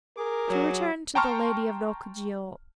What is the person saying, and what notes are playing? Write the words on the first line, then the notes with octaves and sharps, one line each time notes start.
To return to the Lady of Rokjio.
G#4 A#4 D6
F#3
G5 A5 A#5 C6 C#6 F6